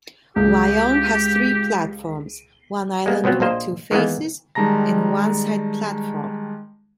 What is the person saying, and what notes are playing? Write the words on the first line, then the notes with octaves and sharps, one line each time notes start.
Wyong has three platforms, one island with two faces and one side platform.
C#2 G4 G#4
G#3 A#3 B3
B2 F3 F#3 B3 C4
A#1 F3 A#3 C5 D#5
D#3 E3 G#3 A#3 B3
D#3 G3 G#3 A5 A#5 A#6